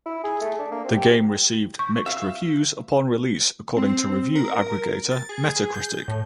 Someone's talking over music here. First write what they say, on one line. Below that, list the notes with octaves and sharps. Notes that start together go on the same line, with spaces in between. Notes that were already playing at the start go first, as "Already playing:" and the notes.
The game received mixed reviews upon release according to review aggregator Metacritic.
E4
G#4
A3
D4
A#3
C4
G4
C#6
E5 F5
C4
A#4
A6
G#4
G6
A2